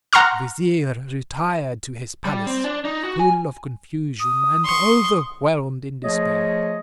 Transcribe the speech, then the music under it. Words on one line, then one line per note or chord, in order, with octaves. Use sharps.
The vizier retired to his palace full of confusion, and overwhelmed in despair.
F#5 A#5 C6 C#6 F6
G3
C4
D4
D#4
F#4
G#5
D#6
C6 C#6
F3 A3 G#4 C#5 D#5